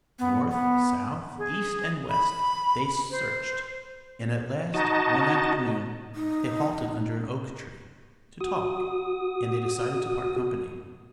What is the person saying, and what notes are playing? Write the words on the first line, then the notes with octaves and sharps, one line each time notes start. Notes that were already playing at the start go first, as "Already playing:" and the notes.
North, south, east, and west, they searched; and at last, one afternoon, they halted under an oak tree, to talk, and they decided to part company.
B3
B3
G#4
B5
C5
D#4 F#4 D#5 A5
D#4
F#4 D#6